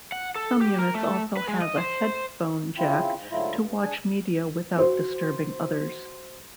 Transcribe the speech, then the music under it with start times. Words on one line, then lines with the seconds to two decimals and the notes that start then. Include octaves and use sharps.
Some units also have a headphone jack to watch media without disturbing others.
0.12 F#5
0.36 A4
0.61 G4
0.78 A#4
0.95 A3
1.37 B4
1.48 G#3
1.62 D#5
1.77 C5
2.77 C#3 C4 E4 F4
3.17 G#2
3.31 G#2 D3 F#3 A3 E4 F4
3.58 G2
3.81 D4 G#4 G#5
4.77 F#4 C5